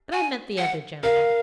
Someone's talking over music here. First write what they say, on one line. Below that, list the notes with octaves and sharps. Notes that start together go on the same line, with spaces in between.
But I meant the other gentlemen.
G#5
F#5
A#4 F5